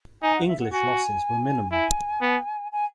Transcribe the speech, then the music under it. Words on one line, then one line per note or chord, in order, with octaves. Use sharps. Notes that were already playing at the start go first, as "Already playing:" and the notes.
English losses were minimal.
D#4 G#5
F#5
E5
F#5
F#4 G#5
E4 G#5
B3
G#5